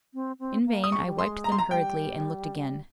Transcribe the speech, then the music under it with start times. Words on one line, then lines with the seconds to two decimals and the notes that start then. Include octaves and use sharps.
In vain I wiped them hurriedly and looked again.
0.14 C4
0.40 C4
0.66 A#3
0.84 D#6
0.92 G#3 C#6
1.06 G3
1.19 G#3 C6
1.44 A#5
1.52 C6
1.59 A#5
1.71 G3 G5